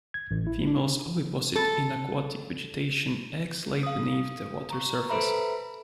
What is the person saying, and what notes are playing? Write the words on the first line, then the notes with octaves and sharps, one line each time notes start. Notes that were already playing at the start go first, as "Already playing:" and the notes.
Females oviposit in aquatic vegetation, eggs laid beneath the water surface.
G#6
A1
E4
D4
A4
F5 D#6
A#5 C#6
A4 B4 C5 E5 A#5 B5